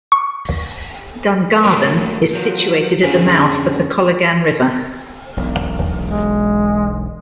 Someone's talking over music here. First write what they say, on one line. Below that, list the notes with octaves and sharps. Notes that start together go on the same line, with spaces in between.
Dungarvan is situated at the mouth of the Colligan River.
C#6
F#3 A3 A#3 A4 A#4 C#5
F3 F#3
F2 D3 C#4 G#4
E1 B1
G#3